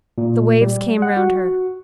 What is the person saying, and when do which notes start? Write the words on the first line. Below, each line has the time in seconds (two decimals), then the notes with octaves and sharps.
The waves came round her.
0.18 A#2
0.61 G3
1.02 F#5
1.17 F#4